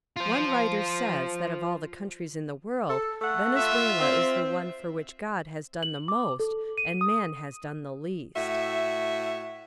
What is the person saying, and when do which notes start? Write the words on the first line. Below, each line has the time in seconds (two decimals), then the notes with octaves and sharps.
One writer says that of all the countries in the world Venezuela is the one for which God has done the most and man has done the least.
0.16 F4 C5
2.89 A4
3.21 A3 A4 F#5
3.55 F4 E5
4.00 C4
5.83 F#7
6.08 D6
6.40 A4
6.78 D#7
7.01 D#6
8.35 A2 F#4 E5